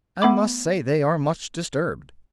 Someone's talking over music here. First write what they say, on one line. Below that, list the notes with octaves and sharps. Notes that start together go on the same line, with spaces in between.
"I must say they are much disturbed."
A3 B3 B5 D6